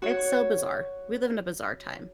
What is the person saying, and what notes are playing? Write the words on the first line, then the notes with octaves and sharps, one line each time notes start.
it's so bizarre. We live in a bizarre time.
F#4 C#5